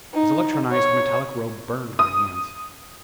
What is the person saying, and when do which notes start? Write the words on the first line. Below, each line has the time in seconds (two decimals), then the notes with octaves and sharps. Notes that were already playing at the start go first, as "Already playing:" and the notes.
His electronized metallic robe burned my hands.
0.14 D#4
0.72 C#5
1.99 D#6